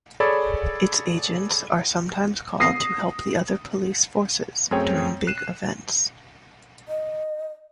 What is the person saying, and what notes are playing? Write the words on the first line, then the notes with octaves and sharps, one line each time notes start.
Its agents are sometimes called to help the other police forces during big events.
G#4 A4 C#5 D5 B5 E6
D#6 A#6 C7
F#2 A3 C4 G#4 C#5 G5
F#6 C7 D#7 E7
D#5